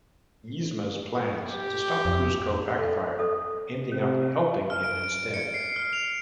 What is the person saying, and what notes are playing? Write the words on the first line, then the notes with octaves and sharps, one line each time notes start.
Yzma's plans to stop Kuzco backfire, ending up helping him instead.
G4
F2
A4
A4 D#6
C3 C#5
F6
D7
D7
C#7
C7
F6
F7